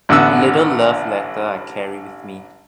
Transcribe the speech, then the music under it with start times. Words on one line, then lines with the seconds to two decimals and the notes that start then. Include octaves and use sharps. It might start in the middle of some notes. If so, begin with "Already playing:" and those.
A little love letter I carry with me.
0.09 A1 D3 B3 E6